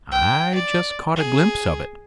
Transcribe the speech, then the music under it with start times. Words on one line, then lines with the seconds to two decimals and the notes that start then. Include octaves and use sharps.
"I just caught a glimpse of it."
0.12 G5
0.55 D5
1.16 G#4